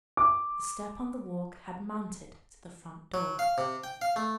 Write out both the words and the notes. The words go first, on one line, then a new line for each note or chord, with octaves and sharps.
The step on the walk had mounted to the front door.
D6
F#3
F5
C3
G5
F5
A3